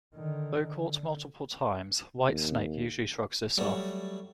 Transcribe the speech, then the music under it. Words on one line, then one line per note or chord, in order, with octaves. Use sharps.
Though caught multiple times, White Snake usually shrugs this off.
D3 D#3
D3
D#2
F#3 G3 A3 F#4